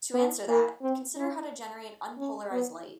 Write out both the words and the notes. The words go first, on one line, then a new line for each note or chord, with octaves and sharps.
To answer that, consider how to generate unpolarized light.
B3
A#3
C4
C#4
C#4
B3